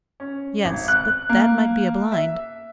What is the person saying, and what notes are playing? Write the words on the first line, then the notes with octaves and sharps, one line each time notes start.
"Yes; but that might be a blind."
C#4
G#1
F#6
A#3
E5